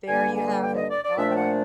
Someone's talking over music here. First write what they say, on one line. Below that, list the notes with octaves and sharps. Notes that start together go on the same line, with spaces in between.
There you have it. Oh, boy.
G2 D3 G3 A#3 G#5
G#5
G5
D#5
D5
D5
A#2 F3 A3 D4 E5
G5
F#5